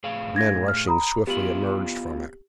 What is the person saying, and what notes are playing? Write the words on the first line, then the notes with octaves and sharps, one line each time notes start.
Men rushing swiftly emerged from it.
A2 G#4 F5
D4 G#6 A#6
F6
A#5 B5 D#6
B3 E4 F4 G4 F#7